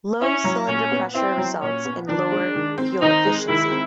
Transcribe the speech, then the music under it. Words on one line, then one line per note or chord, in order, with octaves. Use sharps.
Low cylinder pressure results in lower fuel efficiency.
C#4 E4
F#3
A#2 C#4
B3
C4 E4
F#3
A#2 C#4
B3
D#3 D4
G#3
D#3
C4
D#3 D#4
G#3
D#3 E4
C4